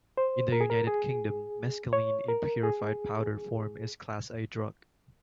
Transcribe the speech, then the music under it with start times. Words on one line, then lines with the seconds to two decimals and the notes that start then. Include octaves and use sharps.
In the United Kingdom, mescaline in purified powder form is a Class A drug.
0.17 C5
0.52 A#4
0.61 G#4
0.70 A#4
0.87 G#4
1.93 C#5
2.29 A#4
2.63 G#4